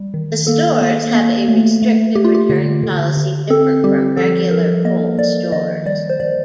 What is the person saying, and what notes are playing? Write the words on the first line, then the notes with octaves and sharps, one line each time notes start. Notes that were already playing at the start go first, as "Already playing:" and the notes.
The stores have a restrictive return policy different from regular Kohl's stores.
Already playing: G3
D#3
A#3 A4
A#3
A#3
A3
A3
A3 G4
F4
G4
D3
D3
D3
C4 A4
G3 G4
F3 A4
F3 A#4
A#3 D#5
F3 D5
D#3 D#5
G3 D5
C5
D#3 D5